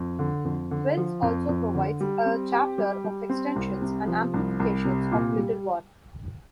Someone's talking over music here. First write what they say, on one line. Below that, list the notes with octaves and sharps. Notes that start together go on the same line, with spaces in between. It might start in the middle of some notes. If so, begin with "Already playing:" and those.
Wells also provides a chapter of "Extensions and Amplifications of Little War".
Already playing: F2
D3
F2
D3
F3
F2
F2
D3
G3
C4
G4
G3
G3
C4
C2
C3
F3
C2
C2
C3
A#2
G3